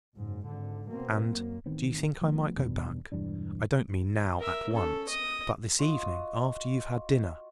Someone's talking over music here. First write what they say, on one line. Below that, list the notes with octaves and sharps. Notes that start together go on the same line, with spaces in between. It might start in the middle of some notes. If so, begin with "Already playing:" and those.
And--do you think I might go back? I don't mean now, at once, but this evening, after you've had dinner.
F#1 G#2
G#1 D3
B2 A#3 C4
F#2 A#3
A1 D#3 B3 C4
F3 A3 B3
E2 G2 B2 D#3
E1 G2 E3 D4
A#4 E5
C#4 A4
D#5 D#6
F4 F#4 D#5